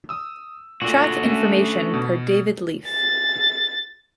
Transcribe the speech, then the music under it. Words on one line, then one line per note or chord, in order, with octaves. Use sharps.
Track information per David Leaf.
D#6 E6
A#2 D3 F#4
A3 C#4
B2
A6